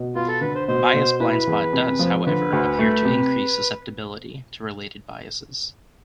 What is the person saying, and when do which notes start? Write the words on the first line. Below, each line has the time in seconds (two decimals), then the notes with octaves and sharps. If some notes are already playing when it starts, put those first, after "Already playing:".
Bias blind spot does, however, appear to increase susceptibility to related biases.
Already playing: B2
0.15 B3 F4
0.28 A4
0.41 D3 B4
0.55 C5
0.68 B2 C5
0.95 B2
1.20 E4 B4
1.47 E2
1.73 C3
1.99 F3
2.26 D3 B4
2.53 D2
2.79 A3
3.05 C3